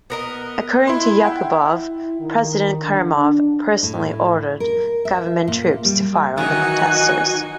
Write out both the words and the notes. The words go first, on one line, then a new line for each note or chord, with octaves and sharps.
According to Yakubov, President Karimov personally ordered government troops to fire on the protestors.
B3 A#4 D#5
E4 C6
E5 F#5 G5
E4
D#3
D3
D4
A2
A#4
E5
A#2
G3
D#3 E3 F#3 D#4 F#4 G#5 F#6